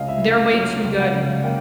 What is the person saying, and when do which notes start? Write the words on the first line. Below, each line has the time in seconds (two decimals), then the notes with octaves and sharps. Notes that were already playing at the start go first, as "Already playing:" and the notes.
They're way too good.
Already playing: C#2 C#3 D#5 F5
0.08 E5
0.24 A#3
0.31 F5
0.54 F#3
0.84 C#2
0.99 F#5
1.14 C#3
1.44 A#3 G5